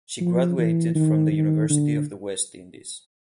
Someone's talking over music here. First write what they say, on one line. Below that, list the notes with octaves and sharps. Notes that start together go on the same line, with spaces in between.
She graduated from the University of the West Indies.
F3
E3
D#3
D#3
D3